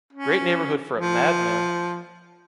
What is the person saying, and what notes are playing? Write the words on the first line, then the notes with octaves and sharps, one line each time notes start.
Great neighborhood for a madman!
C#4
F3